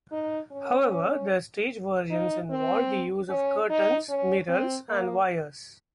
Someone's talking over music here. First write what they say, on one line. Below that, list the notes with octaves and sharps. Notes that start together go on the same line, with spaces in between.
However, their stage versions involved the use of curtains, mirrors and wires.
D#4
C#4
D#4
C4
C#4
D#4
C#4
C4
A#3